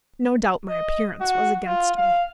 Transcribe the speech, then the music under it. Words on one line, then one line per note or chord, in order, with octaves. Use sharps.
No doubt my appearance was against me.
D#5
F#4
F4
F5